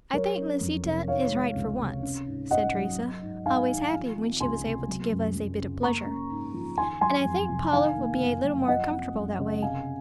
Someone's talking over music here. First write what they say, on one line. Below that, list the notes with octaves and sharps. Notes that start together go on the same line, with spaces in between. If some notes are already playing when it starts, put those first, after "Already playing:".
"I think Lisita is right for once," said Teresa, always happy when she was able to give us a bit of pleasure; "and I think Paula will be a little more comfortable that way."
F#3 A#4 C#5
C#4
F2
C3
D#3 C#5 F5
G#3
C#2
C3
C#4
G#2
G#2 D#5 F#5
F#3
F#3
G#2
G#2 F5 G#5
D#3
F3
C4
C#2 G#5 C6
C3
F#3
F#2
F#2
C#3
A#3 A#5 C#6
C#4
G#2
F3
D#3 G#5 C6
F#3 G#5 C6
F2
C3
D#3 F5 G#5
A#3
F#1
F#2
F3 D#5 F#5
C4
F#2
C#3
C3 F5 G#5